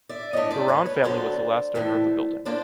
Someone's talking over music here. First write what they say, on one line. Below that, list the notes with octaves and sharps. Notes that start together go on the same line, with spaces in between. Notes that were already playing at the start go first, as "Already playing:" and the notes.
Duran family was the last owner of the building.
D5 E5
G#2 E3 A3 D4 C#5 D#5
C5 D5
B4 C#5
B4 C#5
D2 D3 F#3 B3 C5 D5
A2 E3 A3
A#3 D4 C5 D5